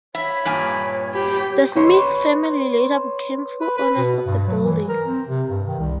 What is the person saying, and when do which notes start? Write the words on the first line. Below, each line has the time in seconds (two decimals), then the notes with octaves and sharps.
The Smith family later became full owners of the building.
0.15 C#5 E5 B5
0.45 G2 A#2 G#5
1.14 G4 B5
1.75 B4 C#5 C6
3.61 B4
3.77 B4
3.97 B2
4.27 G2
4.47 F#3
4.64 E3
4.89 A#4
5.06 C4
5.28 C3
5.49 G2
5.68 D#3
5.79 C2